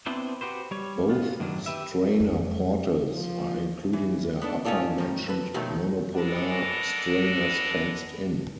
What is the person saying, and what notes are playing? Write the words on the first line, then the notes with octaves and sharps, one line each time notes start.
Both strainer portals are including their upper mentioned monopolar strainers fenced-in.
B3 C4 D4 E4 B4 C5
F#4 G4 B4 C5
G3 C#5
B3 F4
F#2 A2 D#3 F#3 D4
G4 B4 E5
F2 F#3
F3
E3
B3 D4 A4
C#4 D#4 F4 A4 D5
A2 D#3
A4 B4
B2 D#3 F3 F#3 A3
G#3 B3 D4 A4 A#4